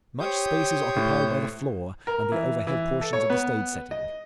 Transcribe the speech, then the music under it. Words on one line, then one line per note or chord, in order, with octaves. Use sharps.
Much space is occupied by the floor and the overhead portions of the stage setting.
G4 C5 C#5 D#6 G6
A2
A#4
E3
E3
A4
C#5
B3
D#5